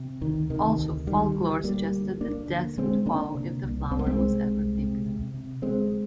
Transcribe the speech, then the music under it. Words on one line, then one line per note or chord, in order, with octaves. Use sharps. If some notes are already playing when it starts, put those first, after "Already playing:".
Also, folklore suggested that death would follow if the flower was ever picked.
Already playing: C3
D2 D#3
C3 D#3
D2
D3 D#3 G3
D2
D2 G3 A#3
D2
D2 A#3 D4
D3
D3 G#3 C4
D3 A#3 D4
C3
C2
C2 C4
A#3
G#3 C4
C3
C2
C3
C3
C3
D2 G#3 C4